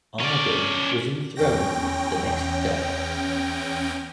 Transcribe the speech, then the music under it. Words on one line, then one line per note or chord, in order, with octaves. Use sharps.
Arghun was enthroned the next day.
C#4 D5
E2 C#4 G5 A#6